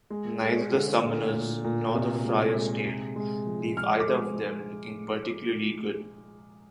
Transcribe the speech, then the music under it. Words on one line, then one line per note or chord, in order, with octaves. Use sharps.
Neither the Summoner's nor The Friar's Tale leave either of them looking particularly good.
G#3
G#3
D3
A#2
A#2
A#2
C3
G#3
G#3
C3
G#3
F3
G#3 F6
D6
G#3